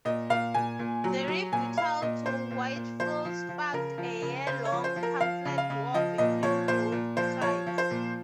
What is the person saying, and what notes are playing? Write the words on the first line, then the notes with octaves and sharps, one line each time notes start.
This rebuttal to Whitefield sparked a yearlong pamphlet war between both sides.
A#2 D#5
A#2 F5
A#2 G#5
A#2
F#3
F#3
A#2 G#5
A#2 F5
A#2 D#5
A#2 C5
A#2
A#2
F3 C5
F3
F3
C#3 A#4
F3
C#3
C#3 C5
C#5
F3
C5
F3
A#4
F3 F5
C#3
F5
C#3
F3 D#5
A#2 D#5
F3 C#5
A#2 C5
A#2
F3 C5
F3 C#5
F3
C5
A#2